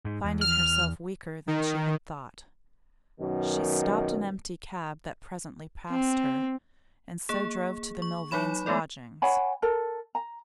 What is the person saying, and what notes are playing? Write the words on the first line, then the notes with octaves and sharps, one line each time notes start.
Finding herself weaker than she had thought, she stopped an empty cab that presently passed her, and so drove to the Milvains' lodgings.
G#2
E2
F6
D#3
F#2 B2 D#3
C4
A#3 G#4
C#6
F#3 D#4 C#5 B5 E7
G#3 A3 B3 A4 D5
C#5 F#5 G#5 B5
A4 A#4
A#5